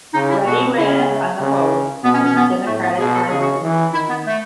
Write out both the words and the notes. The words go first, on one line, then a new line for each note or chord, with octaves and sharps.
Ready ran unopposed in the Democratic primary.
C#3 D#4
E4
B2 F#4
C#3 E4
C#4
B3
A3
C#3
B2 B3
C#4
C#4
B3
A2 A3
B3
B2 G#4
A4
C#3 G#4
F#4
E3
D#3 E4
B3
A3